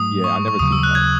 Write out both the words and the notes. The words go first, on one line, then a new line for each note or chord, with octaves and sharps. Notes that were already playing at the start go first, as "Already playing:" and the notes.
yeah, I've never seen that.
Already playing: G#2 F#3 A3 D#6
C#6
D#6
C#6
D#2 C#3 F#3 D#6
E6
F#6
G#6